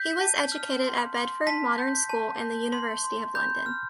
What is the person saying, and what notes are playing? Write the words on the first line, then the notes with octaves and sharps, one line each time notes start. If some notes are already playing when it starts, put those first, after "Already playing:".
He was educated at Bedford Modern School and the University of London.
Already playing: G6 B6
A5
F6
C6
C6
A5 B6
G6
A5
G6
C6
C6
B5 G6
F6